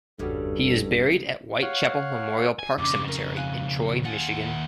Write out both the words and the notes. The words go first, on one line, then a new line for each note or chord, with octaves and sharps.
He is buried at White Chapel Memorial Park Cemetery, in Troy, Michigan.
G#1 E2 G2 C#3 G3 F#4 A4
C#5 F5 F#5
G#5
F2 C#3 D4 F4 D6
A#4
F5 G#5 F#6
D#2 D4 F4 F#5 G#5